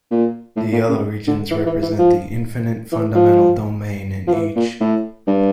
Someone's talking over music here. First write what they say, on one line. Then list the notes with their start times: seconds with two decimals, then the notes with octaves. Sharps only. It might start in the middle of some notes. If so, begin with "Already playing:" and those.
The yellow regions represent the infinite fundamental domain in each.
0.11 A#2
0.57 A2
0.72 A#2
0.89 C#3
1.27 D3
1.51 E3
1.66 E3
1.82 E3
1.98 F3
2.92 E3
3.15 F3
4.27 F3
4.33 E3
4.56 A#2
4.80 A2
5.27 G2